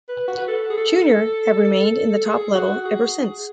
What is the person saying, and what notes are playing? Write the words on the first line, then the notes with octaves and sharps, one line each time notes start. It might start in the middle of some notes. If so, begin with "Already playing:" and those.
Junior have remained in the top level ever since.
B4
F#4
B4
A4
G#4
A4
G#4
F#4
G#4